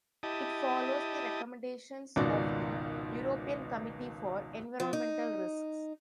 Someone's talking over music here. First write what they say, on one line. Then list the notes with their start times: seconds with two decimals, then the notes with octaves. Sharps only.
It follows the recommendations of the European Community for environmental risks.
0.23 E4 G4 D#5 A5 D#6
2.16 G#1 C#2 B2 D#3 F#4 D5
4.80 F3
4.93 D#4